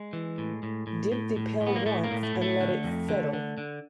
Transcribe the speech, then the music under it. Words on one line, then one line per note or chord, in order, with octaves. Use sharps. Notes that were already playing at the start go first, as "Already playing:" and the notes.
Dip the pail once and let it settle.
Already playing: G#3
E3
A2
A2
A2
A2
A2
A2
B3
A#3
A2 A3
A#3
A2
A3
A2
A3
D3
F2
D3
D3
D3